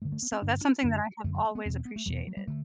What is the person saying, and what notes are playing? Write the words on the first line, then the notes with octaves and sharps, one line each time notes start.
So, that's something that I have always appreciated,
G2 D3 A3
A3
B3
C4
G2 D3 D4
D4
F#2 D3 D4
F#2 D3 A3
F#3
A3
B3
E2 B2 C4
C4
B3
A3
E2 B2 G3
E3
F#3
G3
D3 A3